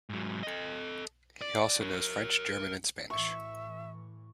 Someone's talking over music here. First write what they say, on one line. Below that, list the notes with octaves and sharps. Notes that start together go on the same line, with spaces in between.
He also knows French, German and Spanish.
G#2 F#3
A4 D#5
D5
A#4 C#5
A2 E3 E5 C#6